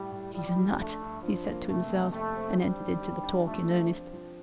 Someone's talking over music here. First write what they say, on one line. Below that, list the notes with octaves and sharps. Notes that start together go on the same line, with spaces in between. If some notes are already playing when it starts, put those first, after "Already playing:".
"He's a nut!" he said to himself, and entered into the talk in earnest.
Already playing: A2 G3
A2
F3 G3
F3
A3 D4
G2
G2 F3
A#3
C3 A3
F2
F2 A3
C4
G3 D4
D#3
G4
D4
F3 A3
C4
F4
F3